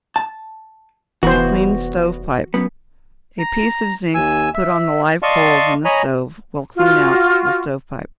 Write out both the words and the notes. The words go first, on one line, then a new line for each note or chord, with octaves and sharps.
To Clean Stovepipe.--A piece of zinc put on the live coals in the stove will clean out the stovepipe.
A5
F1 E3 B3 F#4 C5
F#2 B3
A#5
D#2 G#5 E6
E5
D5 D#5 F5 A5 C6 C#6
C#5 D#5 G#5 A#5 B5
F4 F#4